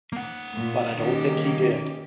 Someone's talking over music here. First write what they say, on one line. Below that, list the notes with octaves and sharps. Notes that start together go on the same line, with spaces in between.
But I don't think he did.
A#3 F#5
A#2
D#3 C#4 G4